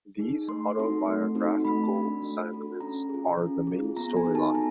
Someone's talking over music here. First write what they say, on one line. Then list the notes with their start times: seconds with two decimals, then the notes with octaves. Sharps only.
These auto-biographical segments are the main storyline.
0.19 D#4 G#4
0.48 A3 C6
0.78 C4 D#4 F#4 A4
1.06 A3
1.35 C4 D#4 F#4 A4
1.65 A3 B5
1.94 D4 F#4 A4
2.22 A3
2.51 D4 F#4 A4
2.81 C#4 A#5
3.09 F4 G#4
3.39 C#4
3.67 F4 G#4
3.97 B3 A#5
4.17 G#5
4.25 D#4 F#4 A4
4.35 A5
4.54 B3 A#5